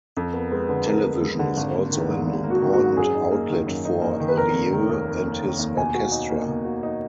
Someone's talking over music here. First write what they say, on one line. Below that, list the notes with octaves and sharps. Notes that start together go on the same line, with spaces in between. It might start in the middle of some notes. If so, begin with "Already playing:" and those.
Television is also an important outlet for Rieu and his orchestra.
F2
B3 A#4
G#3 B4
D3 B4
F2 A#4
B3
G#3
D3
G#1
A#3
D#3
G#2
G#1
A#3
F#4
D#3
F#4
G#2
F#2 G#4
D#4
A#3
D#3
F#2
D#4
A#3
D#3
B4
F1 A#4
A#3
D#3
D#2
F1
A#3
D#3
D#2
B2 G#5
F#4
D#4
A#3
B2
F#4
D#4